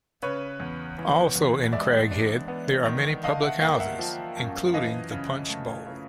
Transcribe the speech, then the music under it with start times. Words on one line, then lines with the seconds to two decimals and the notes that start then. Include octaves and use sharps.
Also in Craghead there are many public houses including the Punch Bowl.
0.23 C#3 B4 C#5
0.60 E2
0.98 E3
1.36 E2
1.73 G#3 D5 E5
2.11 D4
2.48 B3
2.86 D#3
3.24 D3 D#5 F5
3.42 E5 F#5
3.60 A#3 F5 G5
3.80 E5 F#5
3.99 F3
4.37 F#2
4.74 E3 D#5 F5
5.11 C#3
5.49 A3
5.87 C#3